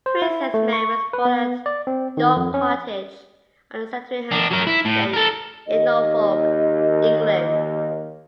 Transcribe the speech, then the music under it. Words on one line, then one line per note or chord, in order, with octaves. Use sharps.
Princess Mary was born at York Cottage on the Sandringham Estate in Norfolk, England.
C5
E4
A3
C#6
B4
B3
D5
C4
D#3
F2
C#4
D4 A#4
F#3 A#4
E4
A2
A4 A#4
D#2 D#5